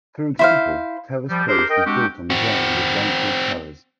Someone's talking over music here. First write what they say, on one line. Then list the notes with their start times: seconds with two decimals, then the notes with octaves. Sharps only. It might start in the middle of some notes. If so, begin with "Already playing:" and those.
For example, Towers Close was built on the grounds of Rouncil Towers.
0.39 E4 C5 F5
1.29 F3 G3
1.47 D4 G4 G#4 A#4 C5
1.70 A#4 D#5 G5
1.85 G#3 C4 D4 F#4 G4
2.30 C4 F#4